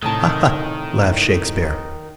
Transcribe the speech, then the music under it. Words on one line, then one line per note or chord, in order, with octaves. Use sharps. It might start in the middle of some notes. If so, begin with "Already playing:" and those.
"Ha-ha!" laughed Shakespeare.
A2 C3 D#3 A5